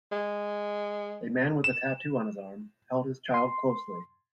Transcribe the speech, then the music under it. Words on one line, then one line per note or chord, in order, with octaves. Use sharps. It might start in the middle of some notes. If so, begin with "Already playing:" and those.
A man with a tattoo on his arm, held his child closely.
G#3
E7
C6